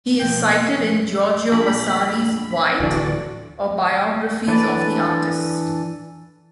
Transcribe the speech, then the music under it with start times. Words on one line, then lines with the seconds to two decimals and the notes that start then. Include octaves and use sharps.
He is cited in Giorgio Vasari's "Vite" or biographies of the artists.
0.20 B2 F3 G5
1.52 A#1 B5
2.80 D1 D3 E3 D4 F#4 D5
4.48 E3 D4 A4 B4 D5